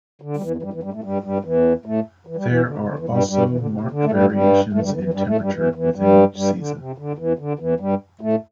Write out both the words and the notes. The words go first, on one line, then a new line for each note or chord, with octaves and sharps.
There are also marked variations in temperature within each season.
D3
G3
E2 E3
E3
G2 G3
E2 E3
G2 G3
A2 A3
G2 G3
G2 G3
E2 E3
A2 A3
E3
G3
E2 E3
D3
C3
D3
E2 E3
G2 G3
G2 G3
E2 E3
D3
C3
C3
D3
A3
G2 G3
G2 G3
A2 A3
E3
G2 G3
D3
E2 E3
E2 E3
G2 G3
A2 A3
G2 G3
E2 E3
E2 E3
G2 G3
G2 G3
D3
C3
D3
E2 E3
D3
E2 E3
G2 G3
A2 A3